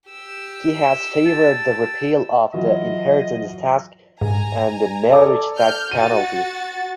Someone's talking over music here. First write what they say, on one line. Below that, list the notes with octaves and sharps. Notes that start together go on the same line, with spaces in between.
He has favored the repeal of the inheritance tax and the "marriage tax penalty".
G4 E6
A5
E3 F#3 F4 D#5
G#2 G#5 A#5
A4 D5 D6
F6 G6
F#4 A6 D#7